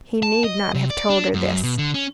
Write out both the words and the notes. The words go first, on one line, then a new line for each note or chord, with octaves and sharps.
He need not have told her this.
A5
D#5
C3
D5
D4
F#2
B2
D3
C#4